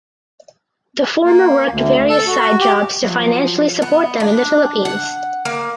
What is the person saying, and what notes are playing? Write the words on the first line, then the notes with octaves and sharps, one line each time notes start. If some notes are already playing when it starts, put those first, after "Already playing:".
The former worked various side jobs to financially support them in the Philippines.
A#3
D2
A4
F#4
G4
F3 F#3
B3
D4
F#5
A#3